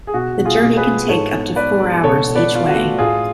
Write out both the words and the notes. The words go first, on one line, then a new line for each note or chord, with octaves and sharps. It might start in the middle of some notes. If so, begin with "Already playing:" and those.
The journey can take up to four hours each way.
G#4
B2 F#4
B2
F4 G#4
B2
G#4 B4
G#3
G#2 A4 C#5
B3
B3 B4 D5
G#3
B2 A4 C#5
B2
B4 D5
B2 F4
F#4
A3
A2 F4 G#4